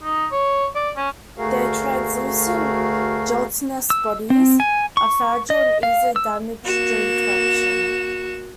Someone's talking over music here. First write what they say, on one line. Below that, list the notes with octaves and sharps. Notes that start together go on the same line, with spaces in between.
Their translucent, gelatinous bodies are fragile and easily damaged during collection.
D#4
C#5
D5
C#4
D2 A3 F#4 G#4 A#4 F5
E6
C4
G#5
C#6
D#5
F5
E6
A#3 F#4 E7